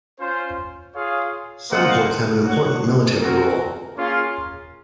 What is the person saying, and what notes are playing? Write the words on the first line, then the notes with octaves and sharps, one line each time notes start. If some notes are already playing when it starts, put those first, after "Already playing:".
Some ports have an important military role.
C#4 F4 C5
F4 G#4 C#5 F5
A#3 F4 C5 D#5 F#5
F#4 C#5 F#5
C4 F#4 A#4
A#3 C#4 F4 G#4